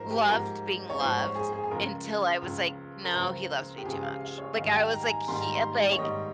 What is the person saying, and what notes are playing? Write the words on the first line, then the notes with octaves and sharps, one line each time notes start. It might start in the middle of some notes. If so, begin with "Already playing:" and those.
loved being loved until I was like, "No, he loves me too much." Like, I was like he, uh, like
Already playing: G#2 F3 A#4 C5
G4
G#2 F3 A#4
C#5
G#2 F3 C5
C#5
G#4
G#4
G#4
C#2 C#3 F3 A#4
C#2 C#3 F3
A#4
C#2 C#3 F3 C5
G4
C#2 C#3 F3 G#4
F5
F5
C#5
G#2 D#3 G3 F5
G5
A#5
G#5
A#5
G#2 D#3 G3 C6
A#5
C6
C#5
G#2 D#3 G3 D#5